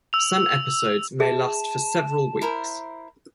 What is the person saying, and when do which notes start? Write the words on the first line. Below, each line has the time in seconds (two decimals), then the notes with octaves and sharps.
Some episodes may last for several weeks.
0.13 E6 F7
1.20 G#4 E5 A5
2.42 E4 A#4 C5